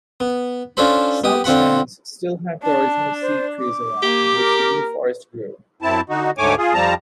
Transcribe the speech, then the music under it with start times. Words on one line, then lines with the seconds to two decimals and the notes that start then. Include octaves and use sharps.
Some stands still have their original seed trees around which the new forest grew.
0.20 B3
0.77 C#4 D4 F4 A4 C5 B5
1.24 B3 G4 D#6
1.44 D3 C4 F4 F#5 B5
2.63 D4 A5
3.22 C5
3.59 D6
4.03 A#3 G4
4.37 A#4
5.82 F#2 C4 E4 A5
6.10 D3 D#4 F#4
6.38 D2 G#2 A3 C#5 G#5 D6
6.58 F4 G#4
6.74 F2 F3 G3 C4 A5 A#5